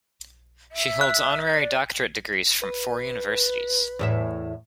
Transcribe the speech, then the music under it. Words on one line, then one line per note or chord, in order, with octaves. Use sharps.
She holds honorary Doctorate degrees from four universities.
E5
F#6
D5
B4
E2 A2 E5